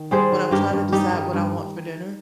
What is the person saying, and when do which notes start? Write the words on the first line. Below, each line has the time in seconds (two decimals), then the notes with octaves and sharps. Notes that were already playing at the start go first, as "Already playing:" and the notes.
when I'm trying to decide what I want for dinner.
Already playing: D#3
0.11 G3 G#4 C5
0.32 D#3
0.51 G2 G4 A#4
0.73 G2
0.92 G3 D#4 G4
1.13 D#3
1.33 G2